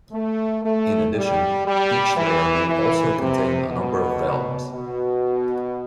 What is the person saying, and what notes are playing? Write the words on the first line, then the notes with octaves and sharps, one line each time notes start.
In addition, each layer may also contain a number of "realms".
A3
A3
G3
G3
E3
E3
C3
B2
B2